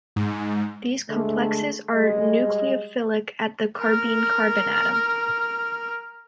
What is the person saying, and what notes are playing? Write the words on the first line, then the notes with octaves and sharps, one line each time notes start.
These complexes are nucleophilic at the carbene carbon atom.
G#2
D3 G#3 A3
G3 G#3 D#5
A#4 F6